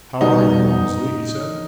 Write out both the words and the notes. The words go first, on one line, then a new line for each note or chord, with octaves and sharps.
"How are you, Walmsley?" he said.
B2 G3 B3 D#4